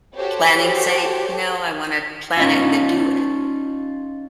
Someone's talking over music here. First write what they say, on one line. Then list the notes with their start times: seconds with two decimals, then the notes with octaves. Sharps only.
planning sake, you know, I want to plan it and then do it.
0.16 F#4 G4 A4 C5 C#5
2.37 C#4 D#4 F4